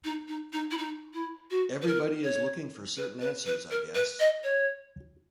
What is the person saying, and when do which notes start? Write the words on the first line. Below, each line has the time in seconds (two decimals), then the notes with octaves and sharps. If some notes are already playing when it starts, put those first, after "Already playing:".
Everybody is looking for certain answers I guess.
0.04 D#4
0.28 D#4
0.53 D#4
0.71 E4
0.77 D#4
1.14 E4
1.50 F#4
1.82 B4
1.87 A#4
2.24 C#5
2.97 B4
3.21 B4
3.46 B4
3.71 A#4
3.95 B4
4.20 D#5
4.43 C#5